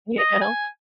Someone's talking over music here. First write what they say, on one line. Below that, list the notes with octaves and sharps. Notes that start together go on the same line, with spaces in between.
You know?
D#5
G#5